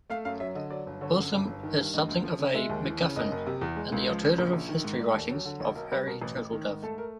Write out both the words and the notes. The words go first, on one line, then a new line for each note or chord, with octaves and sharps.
Wilson is something of a macguffin in the alternative history writings of Harry Turtledove.
A3 F5
F#2 F5
F#3 E5
D3 D#5
F#3 D5
G1
D3 C#5
F#2
G1
G1
D#3
G2
D2 D#5
D2
F3
C#3
G#3 E5
D#2
E3
C#3
F#1 D#5
F#1
C3
E2
G#3
C#2
F3
C#3
A#1
A#1
D#3
G#2
A3 D5
D#2
F#3
D3
B1 C#5
B1 A#4
G3 B4
B2 A#4
A1 B4
A1
D#3
G#2
A3 A4
A#4